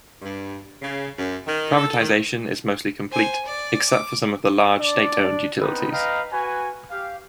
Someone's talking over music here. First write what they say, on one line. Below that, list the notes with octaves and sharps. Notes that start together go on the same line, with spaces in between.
Privatization is mostly complete, except for some of the large state-owned utilities.
G2
C#3
F#2
D#3
A4
D#3
C5 G#5
D5
D6
D4 D5
B3 C4 D#4 B4
B4 D#5 F5 G5 A#5
F#4 B4 G#5
G4 F5